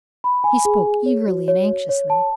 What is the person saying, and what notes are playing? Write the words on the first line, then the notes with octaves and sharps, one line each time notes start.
He spoke eagerly and anxiously.
B5
G#5
G#4
G#4
C#5
F#4
C#5
C#5
C#5
A5